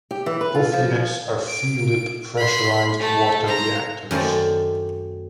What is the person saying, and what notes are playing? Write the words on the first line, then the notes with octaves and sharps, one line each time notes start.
Both units are three-loop pressurized water reactors.
G4
E3
B4
F4
F3
D7
B5 C6
A3 A4
C5 A#5
F#2 D#3 A3 C5 D5